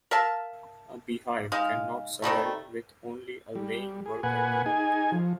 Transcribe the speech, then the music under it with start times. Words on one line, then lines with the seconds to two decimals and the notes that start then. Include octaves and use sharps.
A beehive cannot survive with only a laying worker bee.
0.11 A#4 E5 F5 A5
1.52 G#3 D#4 F5
2.22 C3 D#3 G3 A3
3.55 G3
4.06 G#4
4.23 A#2 B4 F#5 G#5
4.66 D#4 G#4 G#5
5.12 F3